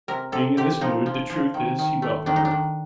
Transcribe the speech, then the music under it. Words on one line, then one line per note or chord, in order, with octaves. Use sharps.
Being in this mood the truth is he welcomed her.
C3 A#4
C3 A4
C3 G4
F3 D#4
F3
F3
D#3
D#3
A3
D#3 D4
D#4
D4
D#3